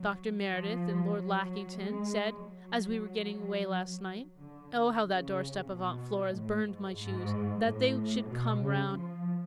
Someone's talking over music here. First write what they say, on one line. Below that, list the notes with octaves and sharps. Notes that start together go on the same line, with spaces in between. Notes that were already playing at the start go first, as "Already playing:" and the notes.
Dr. Meredith and Lord Lackington said, as we were getting away last night--oh, how that doorstep of Aunt Flora's burned my shoes!--that they should come round.
Already playing: F#3
F3
F#3
G#3
F#3
D3
C#3
B2
A2
G#2
G#2
A2
B2
C#3
F3